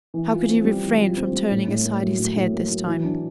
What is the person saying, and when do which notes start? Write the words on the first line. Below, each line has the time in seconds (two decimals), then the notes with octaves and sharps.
How could he refrain from turning aside his head this time?
0.14 E3
0.31 F4
0.48 C4
0.65 G3
0.83 E3
1.00 F4
1.16 C4
1.33 G3
1.51 A2
1.68 A2
1.85 A#3
2.02 F#3
2.19 A2
2.36 A2
2.53 A#3
2.70 F#3
2.87 E3
3.04 D4